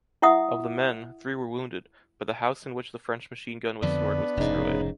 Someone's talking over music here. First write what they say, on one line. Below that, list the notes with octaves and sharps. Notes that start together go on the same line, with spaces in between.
Of the men, three were wounded, but the house in which the French machine gun was stored was destroyed.
E4 E5 F#5 D#6
F2 D3 F3 B3 D4
F1 G#2 C#3 D#4